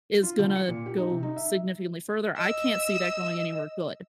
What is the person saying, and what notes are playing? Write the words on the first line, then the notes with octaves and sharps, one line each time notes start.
is gonna go significantly further. I can't see that going anywhere good.
F4
D3
C#7
A#2
G4
D#4
C3
D#4
E5
D#5 E6